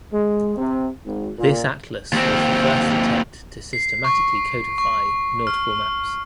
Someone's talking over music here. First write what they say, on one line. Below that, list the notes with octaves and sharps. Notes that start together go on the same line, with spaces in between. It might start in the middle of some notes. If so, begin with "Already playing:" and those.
This atlas was the first attempt to systematically codify nautical maps.
G#3
C3
G#1
A#2
D#2 C4
C7
C#6
C#6
F6